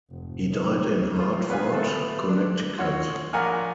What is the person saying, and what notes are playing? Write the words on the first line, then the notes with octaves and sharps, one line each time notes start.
He died in Hartford, Connecticut.
F1 G#2
C#4 D#4
F4
B3 B4 F5 G#5
A3 B3 A4
D4
F4 F#4 C#5
A#1 A#4 F#5 G#5 F6